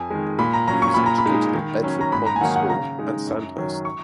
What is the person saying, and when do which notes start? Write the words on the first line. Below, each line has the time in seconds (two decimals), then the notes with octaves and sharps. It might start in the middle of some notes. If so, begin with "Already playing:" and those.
He was educated at Bedford Modern School and Sandhurst.
Already playing: F2 G#5
0.10 D#3 G#3
0.38 A#2 B5
0.54 A#5
0.68 F#3 C#4 A#5
0.82 C#6
0.94 A#2 B5
1.06 A#5
1.18 B5
1.26 G#3 D#4
1.54 D#3
1.83 F#3 C#4
2.01 A#5
2.12 G#2 B5
2.26 A#5
2.36 G#5
2.41 D#3 F#3 A#3 D#4 F#5
2.56 F#5
2.70 C#3 A#5
2.99 G#3 D#4
3.27 F#2
3.56 D#3 F#3 C#4
3.85 C#6